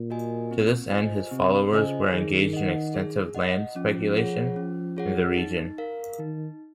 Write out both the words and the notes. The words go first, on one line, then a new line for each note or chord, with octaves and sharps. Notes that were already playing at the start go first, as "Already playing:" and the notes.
To this end, his followers were engaged in extensive land speculation in the region.
Already playing: A#2
F#4 A#4 D#5 G#5
C4
F4 C5 D#5 G#5
C3 C4
C#3 F4 C5 D#5 G#5
D#3 G#4
D#5 F#5
G#4
D#5 F#5
F3 C#4
F4 G#4 C#5 F#5
C#4
F4 G#4 C#5 F#5
D#4
A#4 F5
D#3 D#4